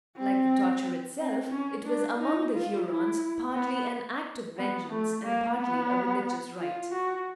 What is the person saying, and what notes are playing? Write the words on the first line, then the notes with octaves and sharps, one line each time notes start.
Like the torture itself, it was, among the Hurons, partly an act of vengeance, and partly a religious rite.
C4
C4
C#4
D4
D#4
F4
E4
B3
B3
A3
A#3
B3
F4
F#4